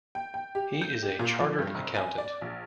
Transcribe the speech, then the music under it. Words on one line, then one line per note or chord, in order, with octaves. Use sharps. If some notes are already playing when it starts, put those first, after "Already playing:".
He is a chartered accountant.
G5
G5
G4
G6
G4
A#2
F3
G2
F1
G#5
D5
A#1